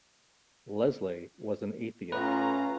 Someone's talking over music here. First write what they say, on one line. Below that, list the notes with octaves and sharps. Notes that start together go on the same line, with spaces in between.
Leslie was an atheist.
A2 C#4 F4 B4 A#5